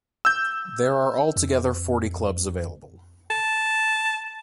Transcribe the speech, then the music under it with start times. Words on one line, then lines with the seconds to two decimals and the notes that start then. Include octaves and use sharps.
There are altogether forty clubs available.
0.25 E6 G6
1.36 F2
3.31 A5